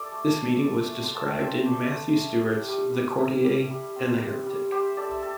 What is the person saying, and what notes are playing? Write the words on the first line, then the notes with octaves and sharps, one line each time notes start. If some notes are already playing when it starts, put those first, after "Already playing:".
This meeting was described in Matthew Stewart's "The Courtier and the Heretic".
Already playing: E4 A4 D5
A3
A3
A3
A3
C6
A3 A5
G5
A3 C5 E5
D4
A3
E4
G3
G3
G3
E4
G3
G3
C4
C4
G3
G3 G4 C5
E4 A4 D5
E5
A4